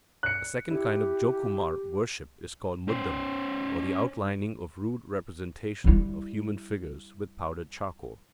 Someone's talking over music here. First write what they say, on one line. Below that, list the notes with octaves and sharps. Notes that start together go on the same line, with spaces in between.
A second kind of Jokumara worship is called muddam, or the outlining of rude representations of human figures with powdered charcoal.
F#6 C#7
E4 G4
C#4 C5
G3 E4